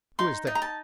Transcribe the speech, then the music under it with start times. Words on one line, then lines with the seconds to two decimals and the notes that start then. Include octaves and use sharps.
"Who is there?"
0.19 D#4 C6
0.47 D#4
0.55 A#5
0.62 A5